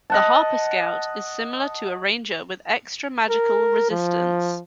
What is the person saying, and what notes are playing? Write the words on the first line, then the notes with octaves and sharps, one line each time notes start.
The Harper Scout is similar to a Ranger with extra magical resistance.
D#5 F#5 A5
A#4
F3